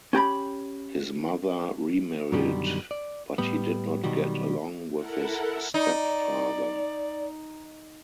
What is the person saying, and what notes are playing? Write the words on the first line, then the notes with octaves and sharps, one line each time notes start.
His mother remarried, but he did not get along with his stepfather.
C#4 G4 A#5 B5
F#2 B2 D3 D#3 G3
D5
A2 G3 B3
B2 D#3 F#3 G3 F#4
E4 A4 A#4 F#5
D#4 D5